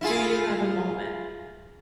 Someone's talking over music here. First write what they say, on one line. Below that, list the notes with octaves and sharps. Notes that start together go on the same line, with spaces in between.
Do you have a moment?
E4 F4 G#4